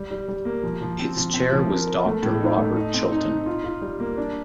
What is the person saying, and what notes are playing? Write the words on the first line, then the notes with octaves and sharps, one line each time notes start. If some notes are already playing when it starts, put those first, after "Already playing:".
Its chair was Doctor Robert Chilton.
Already playing: G3
G3
G3
A#3
F3
F3
C4
F3
C4
F3
A#4
A#4
A3
A2
D#4
A3
D#4
C4
D#4
D#4
F4
F4
G3
A#3
D4